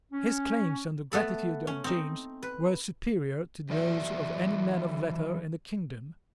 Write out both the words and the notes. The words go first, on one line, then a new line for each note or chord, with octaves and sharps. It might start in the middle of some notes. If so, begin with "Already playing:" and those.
His claims on the gratitude of James were superior to those of any man of letters in the kingdom.
C#4
A3 B3 A4 B5
C#4
C4 D#4
B4
E3 F#3 D5 E5